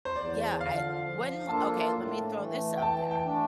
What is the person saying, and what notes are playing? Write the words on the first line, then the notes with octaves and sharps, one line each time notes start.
Yeah, I when okay, lemme throw this out there.
C5
E2 D5
D3 F3 F5
F3
A#3 D4 F4 A4 A5
A2
E3 A3
G5
E3 A5
G5
A3 D4